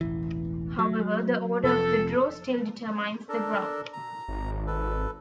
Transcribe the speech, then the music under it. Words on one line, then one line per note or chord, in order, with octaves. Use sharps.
However the order of the draw still determines the ground.
E1 A1 E3
F#3
F1 C3 F3 A4
D4 A4 A#4
A#5
G#1
A4 B4